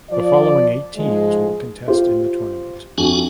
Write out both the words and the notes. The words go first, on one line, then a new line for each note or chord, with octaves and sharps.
The following eight teams will contest in the tournament.
F3 F4 D5
G#2 F3 G#3
F4 G4 C5
F2 D4 F#4 G#5